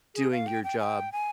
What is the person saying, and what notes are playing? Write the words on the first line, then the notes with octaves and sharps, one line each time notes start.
doing your job,
G#4
F5
G5
G5
G#5
G5
G#5